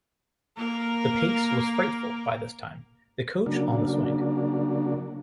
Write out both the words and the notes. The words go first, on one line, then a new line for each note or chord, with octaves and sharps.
The pace was frightful by this time, the coach on the swing.
A#3 A#4
C#3 F#3 A#3 D4